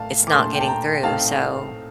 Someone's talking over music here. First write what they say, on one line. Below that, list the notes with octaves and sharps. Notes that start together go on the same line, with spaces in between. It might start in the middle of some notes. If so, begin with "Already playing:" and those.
it's not getting through, so
Already playing: A2 A3 D4 F5 A5
D6
A#2 A3 D4 A5 C6
G5
A5
G5 A#5
A2 A3 C4 D#4 F5 A5